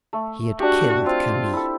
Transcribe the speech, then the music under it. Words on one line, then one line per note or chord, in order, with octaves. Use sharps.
He had killed Camille.
A3
D4 F#4 G4
C4 F4
E4 A4